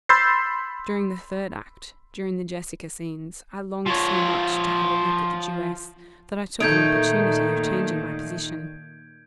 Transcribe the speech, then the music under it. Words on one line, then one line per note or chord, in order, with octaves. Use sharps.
During the third act, during the Jessica scenes, I longed so much to have a look at the Jewess, that I took an opportunity of changing my position.
B5 C6 E6 G6 A6 C7
F3 C#5
A#2 D#3 A3 D#4 G6 G#6 D7